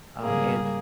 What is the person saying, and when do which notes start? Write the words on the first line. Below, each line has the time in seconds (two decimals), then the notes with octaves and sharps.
Um, and
0.22 G#2 C#3 G3 A#3 G#4